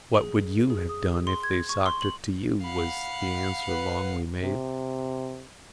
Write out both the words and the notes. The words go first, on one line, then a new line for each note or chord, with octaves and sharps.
"What would you have done if they'd socked it to you?" was the answer Longley made.
G#4
G#4
D#6
C6
G#6
C#6
C6
F#7
F5 F#5 B5
B4
C3